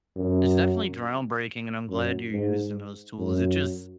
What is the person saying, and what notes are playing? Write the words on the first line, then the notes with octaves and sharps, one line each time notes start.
it's definitely groundbreaking, and I'm glad you're using those tools. It just,
F#2
F#2
G#2
F#2